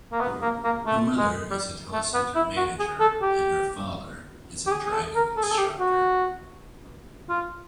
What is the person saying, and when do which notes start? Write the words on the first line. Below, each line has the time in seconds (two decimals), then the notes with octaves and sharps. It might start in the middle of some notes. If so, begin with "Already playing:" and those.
Her mother is a telecentre manager and her father is a driving instructor.
0.12 A#3
0.21 B3
0.42 A#3
0.64 A#3
0.86 A3
1.17 G#3
1.51 G3
1.93 A3
2.14 B3
2.35 E4
2.57 F#4
2.79 G#4
3.00 A4
3.22 G4
4.67 G4
4.72 G#4
4.86 G#4
4.93 A4
5.15 A#4
5.37 A4
5.43 G#4
5.51 A4
5.58 G4
5.80 F#4
7.29 F4